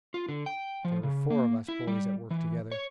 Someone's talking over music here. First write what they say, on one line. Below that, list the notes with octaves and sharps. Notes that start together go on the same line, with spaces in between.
There were four of us boys at work together.
F4
D3
G5
F3
C#3
A#3
E4
G3
E3
C#5